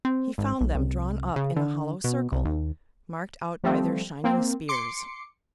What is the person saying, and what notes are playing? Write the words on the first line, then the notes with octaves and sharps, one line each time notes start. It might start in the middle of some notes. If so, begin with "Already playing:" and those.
He found them drawn up in a hollow circle, marked out by their shining spears.
C4
G#1
B1
C2
C#3
D3
B2
C2
D#2
F3 G3 A3 C4
A#3 C4
C6 D6 C7 C#7